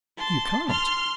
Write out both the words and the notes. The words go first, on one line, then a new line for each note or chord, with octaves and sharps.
"You can't."
A5 C6
C6 F6